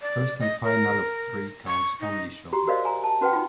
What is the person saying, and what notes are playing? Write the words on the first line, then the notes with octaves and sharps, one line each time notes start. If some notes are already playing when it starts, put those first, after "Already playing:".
First and final of three counts only shown.
D5
D#5
A#4
C#6
D#4
F#4 G4 A#5
F#4 A#4 C5 D5 D#5 F5
G#5 A#5
A5
C#4 F#4 B4 F#5 G5
D#4 F4